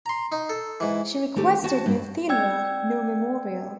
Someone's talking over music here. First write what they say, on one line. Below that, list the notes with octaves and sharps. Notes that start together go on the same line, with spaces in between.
She requested no funeral nor memorial.
A#5 C6
D#4
A4
G#2 E3
D#3 A3 C4 G4
E2 F#4 A5
G2
C4 D5 G5 E6 G#6